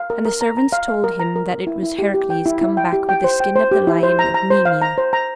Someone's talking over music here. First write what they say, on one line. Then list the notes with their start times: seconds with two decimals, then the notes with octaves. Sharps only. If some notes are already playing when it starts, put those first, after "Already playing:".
And the servants told him that it was Heracles come back with the skin of the lion of Nemea.
Already playing: F5
0.10 A#4
0.25 A#4
0.41 A#5
0.57 A#5
0.72 F5
0.88 F5
1.04 A#4
1.20 A#5
1.36 A#4
1.51 A#4
1.67 E4
1.83 E4
1.99 G4
2.14 G4
2.30 G5
2.46 E4
2.62 E4
2.77 G5
2.93 G4
3.09 G5
3.24 C5
3.40 G5
3.56 C5
3.71 G4
3.87 E4
4.03 C5
4.19 A#5
4.34 A#5
4.50 C5
4.65 F5
4.82 A#5
4.98 C5
5.13 A#5